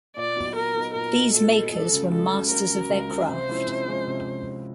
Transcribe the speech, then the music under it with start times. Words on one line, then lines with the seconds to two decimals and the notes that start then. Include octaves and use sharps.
These makers were masters of their craft.
0.17 A#2 D5
0.36 F#3 B3 D#4
0.56 A#2 A#4
0.74 F#3 B3 D#4
0.94 A#2 A#4
1.13 F#3 B3 D#4
1.33 A#2 A4
1.53 F#3 B3 D#4
1.73 C#2 A4
1.92 C#3 F#3
2.11 C#2 A4
2.31 C#3 F#3
2.51 C#2 A#4
2.70 C#3 F#3
2.90 C#2
3.09 C#3 F#3
3.29 C3 C5
3.48 F3 G#3 C#4 E4
3.68 C3
3.87 F3 G#3 C#4 E4
4.07 C3